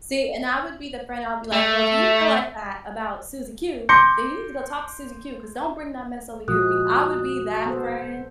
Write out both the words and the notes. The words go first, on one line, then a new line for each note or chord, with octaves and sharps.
See, and I would be the friend, I'll be like, "Well, if you feel like that about Susie Q, then you need to go talk to Susie Q, 'cause don't bring that mess over here to me." I would be that friend,
A3 E5
C6 D6 G6 A#6 C#7
A#2 F3 G#3 F#4 D#6 F#6
B3 A4 C5